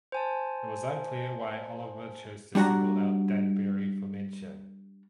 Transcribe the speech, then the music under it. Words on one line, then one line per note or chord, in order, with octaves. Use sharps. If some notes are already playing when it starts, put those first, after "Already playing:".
It was unclear why Oliver chose to single out Danbury for mention.
C5 G#5 A5
G3 D4 F#4 F#5 A#5